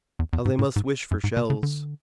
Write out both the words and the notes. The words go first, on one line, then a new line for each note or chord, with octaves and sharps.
"How they must wish for shells!"
E2
E2
G#2
A2
G#2
F#2
G#2
B2
C#3
D3